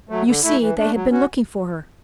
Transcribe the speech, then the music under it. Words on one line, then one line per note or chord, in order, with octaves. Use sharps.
You see, they had been looking for her.
F#3 A3
D3
A3 E4
E3
A3 D4
F#3
C#4 F#4